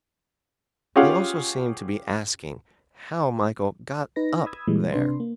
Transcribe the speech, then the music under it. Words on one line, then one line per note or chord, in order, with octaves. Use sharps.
He also seemed to be asking how Michael "got up" there.
C#4 F4 G4 G#4 F5 F#5
D#4 B4 A#6
B5 D#6 E6 G#6
A#2 E3 G3 G#3
C3 D4 B4 C6
A#3